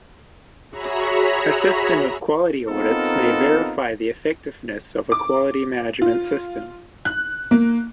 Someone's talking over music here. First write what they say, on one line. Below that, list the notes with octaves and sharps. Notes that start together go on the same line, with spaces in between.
A system of quality audits may verify the effectiveness of a quality management system.
F#4 G#4 C#5 E5 A#5 B5
B3 C4 D#4 F4 A4 A#4
D6
F4
F#6
A#3